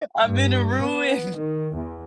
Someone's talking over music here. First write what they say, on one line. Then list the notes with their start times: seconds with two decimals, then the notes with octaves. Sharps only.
I'm in a ruin.
0.23 G2
0.81 B3
1.36 D#3
1.75 E2